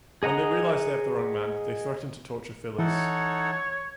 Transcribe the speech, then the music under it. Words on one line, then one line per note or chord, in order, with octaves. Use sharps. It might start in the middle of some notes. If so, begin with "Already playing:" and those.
When they realise they have the wrong man, they threaten to torture Phyllis.
G#4 D#5 F#5 A#5 D#6
E3 D#4 A4 C#5 F#5